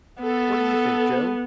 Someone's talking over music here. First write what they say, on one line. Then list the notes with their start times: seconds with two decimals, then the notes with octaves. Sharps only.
"What do you think, Joan?"
0.22 B3 A4